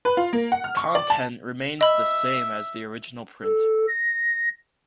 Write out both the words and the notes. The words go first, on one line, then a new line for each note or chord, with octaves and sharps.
Content remains the same as the original print.
B4
F4
A#3
F#5
F6
C#6
D5
A5
D#5 E5 B5
A4
A#6